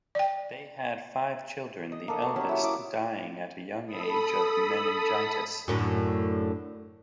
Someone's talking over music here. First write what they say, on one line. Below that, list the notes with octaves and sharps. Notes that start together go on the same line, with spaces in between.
They had five children, the eldest dying at a young age of meningitis.
D5 G5
D#5
A#3 D4 A4 D#5
D4 F#4 D5
F#3 C#4 D#4 G4
E4 F#4
E4 C6 D6 D#6
A4 B5 D#6
F#2 A2 D3